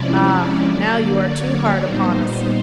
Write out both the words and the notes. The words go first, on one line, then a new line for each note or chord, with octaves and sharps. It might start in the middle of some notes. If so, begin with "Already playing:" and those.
'Ah, now you are too hard upon us!
Already playing: C3 F3 G#3 C#4 E4 D5
D5
D3 F#3 A#3
C#5
A#2 G3 B3 D#4 C5